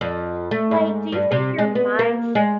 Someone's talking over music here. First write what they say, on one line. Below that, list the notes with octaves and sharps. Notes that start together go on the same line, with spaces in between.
Like, do you think your minds
F2
A3
G#2
G2
C3
G#3
B3
A#3
G#3